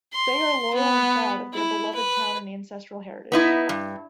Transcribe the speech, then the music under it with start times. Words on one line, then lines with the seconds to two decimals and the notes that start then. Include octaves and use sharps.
They are loyal and proud of their beloved town and ancestral heritage.
0.13 C6
0.74 B3
1.53 E4
1.94 B4
3.32 B3 D#4 E4
3.69 G2